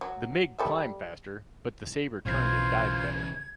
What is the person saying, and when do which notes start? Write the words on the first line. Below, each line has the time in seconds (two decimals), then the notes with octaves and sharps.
The MiG climbed faster, but the Sabre turned and dived better.
0.01 F#3
0.58 G3 A4 E5
2.26 B1 C#3 E3 F4 C5 G#6